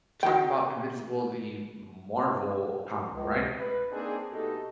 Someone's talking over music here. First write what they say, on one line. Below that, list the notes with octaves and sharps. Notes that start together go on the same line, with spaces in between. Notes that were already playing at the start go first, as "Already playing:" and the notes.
talking about Invincible, the Marvel comic, right?
F#4 G5
C#2
B4
A#3 C4 D4 D#4 G#4
B2 A3 D#4 G4 A4